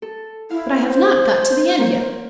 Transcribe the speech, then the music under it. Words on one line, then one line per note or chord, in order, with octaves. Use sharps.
But I have not got to the end yet.
A4
E4 F5
C5
A#3 A#4 C#5